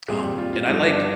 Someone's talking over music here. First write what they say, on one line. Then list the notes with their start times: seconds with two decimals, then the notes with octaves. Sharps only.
Um, and I like
0.08 A#2 G3 C4 G#4
0.23 G4
0.38 F4
0.53 F4
0.67 G1 G2 F3 D#4
0.87 D4